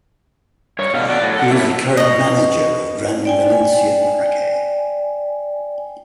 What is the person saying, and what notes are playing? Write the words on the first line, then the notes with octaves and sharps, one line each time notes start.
He is the current manager of Gran Valencia Maracay.
G2 C#5
B2 D3 F5
F#4 D5
A2 F#3
A4 F#5
F#2 A3 A#3 E4
B2 D#5
D5 G5 G#5